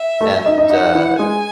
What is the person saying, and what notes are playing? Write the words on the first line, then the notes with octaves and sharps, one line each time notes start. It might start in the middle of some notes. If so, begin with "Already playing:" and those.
And, uh
Already playing: E5
A3 A4
D#4 D#5
D#4 D#5
D#4 D#5 F#5
E3 E4
G#3 G#4 G#5